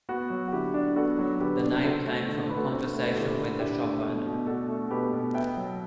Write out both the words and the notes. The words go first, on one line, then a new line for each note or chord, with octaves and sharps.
The name came from a conversation with a shop owner.
B3 F#4
F#3
F#4
D3 E4 G4
D4
B3 F#4 A4
F#3
D3 G4 B4
D4
C4 F#4 A4
A3
D3
A4
D3 B4
F#4 A4
C4
A3
D3 E4 G4
D3
D4 E4 G4
A3
B2
B2
D4 F#4 A4
A3
B2 G4 B4
B2
B3 E5 G5
F#3